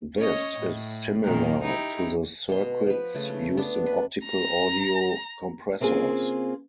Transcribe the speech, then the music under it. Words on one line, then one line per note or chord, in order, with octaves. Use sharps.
This is similar to the circuits used in optical audio compressors.
C#4 C#5 D#5
A2
F#2 A#2 D#3
D#4 E4 G4
B2 C6
F3 B4
C#3 A3
B3 D4
B4
A#5
C#3 A#3 C4 F4 G#4